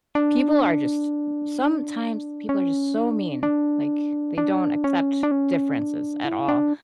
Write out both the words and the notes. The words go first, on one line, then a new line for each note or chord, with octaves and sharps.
people are just sometimes people are just so mean. Like, they don't accept differences at all.
D4
C#4
D4
D4
D4
C#4
D4
C#4
D4
E4
D4